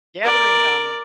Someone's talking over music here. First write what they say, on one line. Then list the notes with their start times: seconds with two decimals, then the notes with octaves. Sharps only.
Gathering um
0.24 A#4 D5